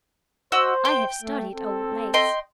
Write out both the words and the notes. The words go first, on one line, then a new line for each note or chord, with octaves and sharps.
I have studied old lace.
F#4 C5 D#5 E6
G5
A3
C4 A4
D#5 G5 C6